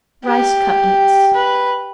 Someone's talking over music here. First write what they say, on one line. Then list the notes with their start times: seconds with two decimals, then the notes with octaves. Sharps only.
Rice Cutlets.
0.25 G4
1.35 B4